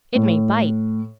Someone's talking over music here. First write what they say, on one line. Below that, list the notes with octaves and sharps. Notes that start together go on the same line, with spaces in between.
"It may bite!"
A2